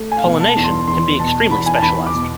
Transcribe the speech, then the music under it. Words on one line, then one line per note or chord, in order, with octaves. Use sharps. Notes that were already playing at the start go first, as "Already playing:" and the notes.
Pollination can be extremely specialised.
Already playing: A3
G#5
F5
B2
A5
E2
C6
E2 C6
B2 A5
E2 B5
G#5
A5
E2 B5
D6
B2